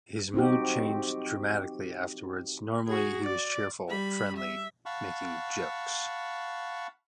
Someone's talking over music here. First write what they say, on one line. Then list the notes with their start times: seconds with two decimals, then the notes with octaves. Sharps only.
His mood changed dramatically afterwards - normally he was cheerful, friendly, making jokes.
0.34 C4 D#4 F#4 G4
2.87 F#4 G#4
3.24 D5
3.88 G3 B5
4.38 E5
4.86 F5 F#5 A5 B5 C#6